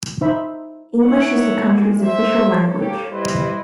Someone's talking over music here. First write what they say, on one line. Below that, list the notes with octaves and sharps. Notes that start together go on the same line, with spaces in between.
English is the country's official language.
D#4 C5 E5 B5
D#4 C#5 E5 F#5
G3 G#3
C5 E5
A4 C#5
A#3 G4
G3 E4 B4 C5 D#5